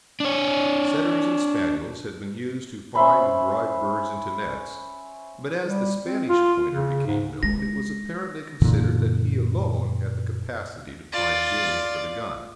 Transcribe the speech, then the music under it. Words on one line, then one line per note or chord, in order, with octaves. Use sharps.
Setters and Spaniels had been used to find and drive birds into nets, but as the Spanish Pointer became known it was apparently considered that he alone had the capacity to find game for the gun.
D4 C#5
C#4 C5 E5 B5
G3
C4
F4
C#3
G#2
G#3 A#6
F#2 A#2 D3 E3
F4 D5